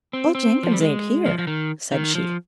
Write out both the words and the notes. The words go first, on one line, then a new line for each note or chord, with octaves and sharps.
"Old Jenkins ain't here," said she.
C4
C4
F3
G3
G#3
F3
F3
D#3
D#3
F3